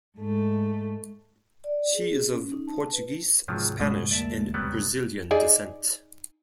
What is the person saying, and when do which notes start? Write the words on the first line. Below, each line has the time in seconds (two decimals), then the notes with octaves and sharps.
She is of Portuguese, Spanish, and Brazilian descent.
0.16 G#2 A3
1.64 D5
1.95 G#4
2.31 C#4
2.52 D#4
2.68 A5
2.93 B4
3.48 C#2 G#2 C3 D#3 F3 F#3
3.80 G2 B2 D3 G#3
4.11 B1 E2 A3 A#3 D5 E5 A5
4.54 C3 F#3 G3 B3
5.31 D#4 G#4 D5